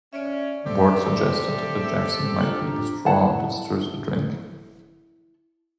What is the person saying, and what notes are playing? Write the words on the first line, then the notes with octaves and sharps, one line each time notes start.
Ward suggested that Jackson might be the straw that stirs the drink.
C#4 D5 E5
C4 G4 A4
E5 E6
D4 F4 A#5
E4 F#5 A5